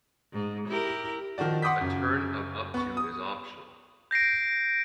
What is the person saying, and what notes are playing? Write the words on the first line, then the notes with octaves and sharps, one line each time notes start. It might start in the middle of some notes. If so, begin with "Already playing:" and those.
A turn of up to is optional.
G#2
E4 G4 A#4
D#3 F3 F#4 D5
F#5 C6 D6 D#6 G6 B6
F#2 C#3
B3 C#6
D#6
G6 A#6 C7 D7